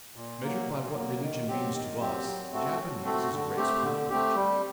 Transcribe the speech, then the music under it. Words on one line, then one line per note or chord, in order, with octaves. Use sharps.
Measured by what religion means to us, the Japanese is a race without religion.
A#2
F#3 A#3
A#2
F#3 A#3
D#3
F#3 C4 G4
D#3
F#3 C4 G4
F#3
A3 C4 F#4 A4
F#3
A3 C4 F#4 A4
D3
A3 C4 G4
D3
A3 C4 G4
G3